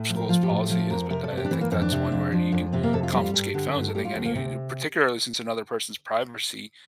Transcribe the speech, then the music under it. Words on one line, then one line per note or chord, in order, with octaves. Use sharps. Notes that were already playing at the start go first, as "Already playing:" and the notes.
school's policy is, but I I think that's one where you can confiscate phones. I think any particularly since another person's privacy
Already playing: A2
F3
A#4
F3 F4
G4
A2
A4
F3
A4
F2 A#4
C3 A#4
A4
F2
G4
D4
E3 C4
A#3
F2 C4
D4
C3
F2
F3
F2
C3 C4
A#3
F2 A4
F4
G3 E4
F4
G2 G4
D3 G4
A4
G2
G4
A4
G3 G4
F4
D2 C4
A#3
C3 C4